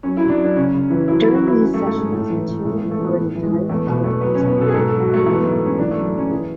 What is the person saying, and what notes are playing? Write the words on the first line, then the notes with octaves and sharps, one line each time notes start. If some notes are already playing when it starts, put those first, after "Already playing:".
During these sessions, material for an entire album was recorded.
F#2 C#4
F#3 E4
D4
F#2
D4
C#3 C#4
C#3
E3
F#3 E4
F#3 E4
F#4
F#3 E4
F#3 C#4
G#2 A3
A3
G#2 G#3
A2 A3
E3
E3
A2 G#3
A3
E3
A3
E3
B3
A2
E3
G#3
E3
E2 A3
B2 B3
E2 A3
F#3 B3
C#4
B2
B3
B2 A4
G#4
G#2 A4
F#3 A4
F#4
F#3
A3
G#3
E3 A3
B3
A3
G#2
A3
G#2 C#4
E3 D4
F#2 A3
A3
F#2 C#4
E3 G#4